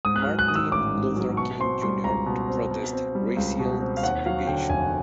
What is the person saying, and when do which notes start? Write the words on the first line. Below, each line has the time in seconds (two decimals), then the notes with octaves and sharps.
Martin Luther King Junior to protest racial segregation.
0.05 G#2 D#6
0.16 F#6
0.22 F#3 F6
0.39 F#6
0.48 D#3 D#6
0.55 E6
0.72 A1 D6
0.93 G#2
1.16 F#3
1.37 B2 C#6
1.60 C4 C6
1.82 G3 C6
2.04 C#2 A#5
2.26 B2
2.49 C4
2.71 B2
2.93 C4
3.15 G3
3.37 C#2
3.59 B2
3.81 C4
3.97 F5
4.03 D#2 F#5
4.26 F#3 F5
4.47 D3 G5
4.70 F1 G#5